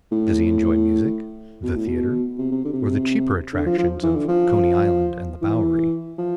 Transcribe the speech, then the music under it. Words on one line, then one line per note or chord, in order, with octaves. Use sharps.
Does he enjoy music, the theater, or the cheaper attractions of Coney Island and the Bowery?
A2
B2
A2
B2
C3
C3
D3
C3
B2
C3
D3
F3
F3
E3
D3
F3
E3
F3